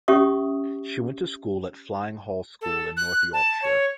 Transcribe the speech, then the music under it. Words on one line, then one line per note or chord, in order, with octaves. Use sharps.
She went to school at Fyling Hall School in North Yorkshire.
C#4 G4 E5 C#6 D#6
A4
F#6
A5
C#5